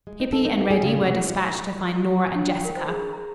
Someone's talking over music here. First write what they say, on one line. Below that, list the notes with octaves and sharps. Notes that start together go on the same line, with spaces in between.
Hippy and Reddy were despatched to find Nora and Jessica.
G#3
D#4
A4
D#4
B3
G#4
C#3
C3
E4
D4
G5
A#4
C5
G#4
A#5